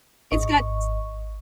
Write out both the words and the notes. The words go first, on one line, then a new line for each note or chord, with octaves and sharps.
it's got s
G#1 D#5 C#6